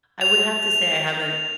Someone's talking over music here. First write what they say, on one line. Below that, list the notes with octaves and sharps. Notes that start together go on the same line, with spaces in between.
I would have to say I haven't
F7